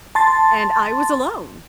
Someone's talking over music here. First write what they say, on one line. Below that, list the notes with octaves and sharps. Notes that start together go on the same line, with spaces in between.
and I was alone
A5 C6 A6